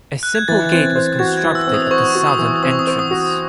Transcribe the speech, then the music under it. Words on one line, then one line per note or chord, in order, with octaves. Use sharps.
A simple gate was constructed at the southern entrance.
F#6
G#6
E3 A6
C4
C5
F#4 G#6
G#6
E3
E6
C4
D#6
C5 C#6
C#6
F#4
D#6
E3
C4 D#6
C#6
D#6
C5
D#6
F#4